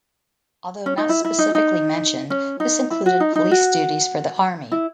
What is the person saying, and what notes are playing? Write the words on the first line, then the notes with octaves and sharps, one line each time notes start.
Although not specifically mentioned, this included police duties for the army.
C#4
D#4
E4
E4
D#4
D#4
C#4
D#4
E4
F#4
D#4
D#4
F#4
E4